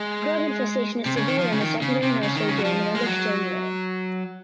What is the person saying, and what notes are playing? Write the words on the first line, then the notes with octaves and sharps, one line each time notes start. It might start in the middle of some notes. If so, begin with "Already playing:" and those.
Grub infestation is severe in the secondary nursery during November to January.
Already playing: G#3
C3
C#3
D#3
F3
C#3
D#3
C#3
C3
C#3
D#3
C#3
F#3
F3
G#3
F#3